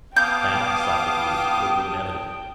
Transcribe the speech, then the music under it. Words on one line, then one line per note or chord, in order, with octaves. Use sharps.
That, Socrates, will be inevitable.
B3 F5 G5 A5 D6 D#6 G6